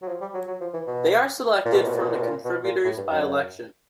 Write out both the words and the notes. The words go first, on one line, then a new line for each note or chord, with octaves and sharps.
They are selected from the Contributors by-election.
F#3
F3
G3
F#3
F#3
F3
E3
B2
A#2
B2
A#2
B2
A#2
B2
A#2
B2
A#2
B2
A#2
A2
G2
F#2